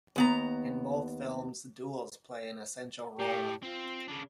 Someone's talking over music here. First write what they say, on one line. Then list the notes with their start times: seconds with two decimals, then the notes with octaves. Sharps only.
In both films, duels play an essential role.
0.16 D#2 B3 A#5
3.19 A2 G4
3.63 C4 F4
4.08 C#3 D4